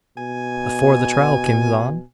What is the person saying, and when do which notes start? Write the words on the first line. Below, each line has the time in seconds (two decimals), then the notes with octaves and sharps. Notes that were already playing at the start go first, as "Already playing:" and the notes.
"Afore the trial kims on."
0.18 B2 G#5